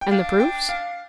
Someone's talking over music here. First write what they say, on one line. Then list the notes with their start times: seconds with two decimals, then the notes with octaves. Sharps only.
"And the proofs?"
0.01 G5
0.10 D4 F5
0.40 G5
0.69 F5